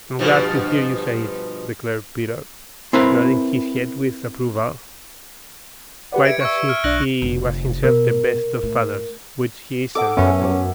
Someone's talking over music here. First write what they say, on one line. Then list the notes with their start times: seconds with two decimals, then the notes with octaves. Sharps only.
"I'm glad to hear you say it," declared Peter, nodding his head with approval quite as if he was himself the best of fathers, which he isn't at all.
0.19 G2 B2 F3
2.93 C4 E4 A#4 B4
6.12 G4 B4 D5 F#5
6.25 E5 G#6 C#7 D7
6.41 E5 C#6 E6
6.68 E6 F6 D7
6.84 B1 D4 D5 F#6 A#6 F#7
7.22 F1 D3
7.83 B2 A#4
8.63 A2
9.95 A4 D#5 F#5 D6
10.17 F#2 B3 C#4 E5 G#5 D6
10.44 D6